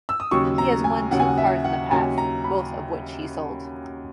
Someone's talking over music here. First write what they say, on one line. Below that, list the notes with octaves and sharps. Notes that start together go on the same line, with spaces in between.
He has won two cars in the past, both of which he sold.
E6
D#6
D#2 C#3 F#3 C#6
A#5
G#5
D#2 C#3 F#3 F#5
G#5
F#5
E5
F#5
D#2 C#3 F#3 G#5
A#5
B5